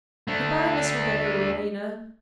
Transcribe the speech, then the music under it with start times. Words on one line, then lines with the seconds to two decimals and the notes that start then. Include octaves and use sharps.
Good-by Miss Rebecca Rowena!
0.28 A3 D4